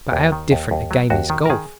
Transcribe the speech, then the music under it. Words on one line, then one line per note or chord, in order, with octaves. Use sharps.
But how different a game is golf.
D#2
D#3
D#2
D#2
F#3
D#2 F#4
D#3
A#4
D#3 G#4